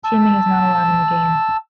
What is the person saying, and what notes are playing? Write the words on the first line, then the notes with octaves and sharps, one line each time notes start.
Teaming is not allowed in the game.
A5 E6